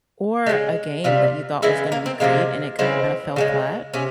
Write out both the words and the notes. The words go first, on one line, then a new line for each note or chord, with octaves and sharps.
or a game that you thought was gonna be great and it kinda fell flat?
C#3 F3 G#3
C3 G3 F4
C#3 E3 G#3 E4
A#3
C4
C3 F3 G#3 A#3
C#3 E3 G#3 C4
C#3 F3 G#3
C3 C#4